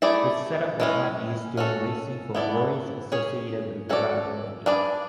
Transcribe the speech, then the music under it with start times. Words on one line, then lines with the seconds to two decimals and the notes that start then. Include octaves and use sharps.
This setup was not used during racing for worries associated with reliability.
0.02 A3 E4 G#4 D5
0.80 E3 G#3 C#4
1.57 C#4 F#4 A4
2.35 B3 E4 A4 D5
3.12 C#4 G#4 C#5
3.89 C#4 F#4 A4 D5
4.66 D4 G#4 B4 D5